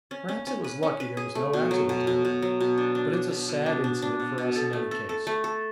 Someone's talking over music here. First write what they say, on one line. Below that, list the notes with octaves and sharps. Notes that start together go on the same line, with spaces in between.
Perhaps it was lucky there was no accident to the men, but it's a sad incident for us in any case.
C#4
C#4
C#4
B4
C#4
B4
G#4
A3
B2
F#3
B2
B2
B2
F#3
B2
D4
D4
D4
B2
B2
D4
D4
D4
B2
B2
A4
A3
A4
A4
A3
A4